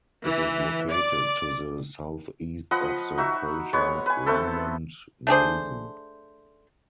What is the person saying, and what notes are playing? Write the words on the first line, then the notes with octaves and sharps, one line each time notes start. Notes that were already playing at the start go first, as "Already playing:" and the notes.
It is located to the southeast of the crater remnant Mason.
E3
D5
F3 B4 D#5 F#5
D#4 F#4 E5
G#3 B3 C#5
B4 G#5
A3 B3 C4 A4
A3 D4 G#4 C5